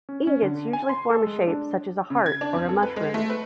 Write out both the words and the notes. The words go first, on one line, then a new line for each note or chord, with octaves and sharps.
Ingots usually form a shape such as a heart or a mushroom.
C#4
C#4
D3
G#5
C6
A4
G#3
D4
C#3
G#6
D4
F2
A4
B4
G#3
A3
B4